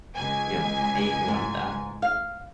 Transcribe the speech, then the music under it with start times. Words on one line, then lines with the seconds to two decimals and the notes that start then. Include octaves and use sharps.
you know, anything like that?
0.16 C#2 G#5
1.28 G#2
2.02 F5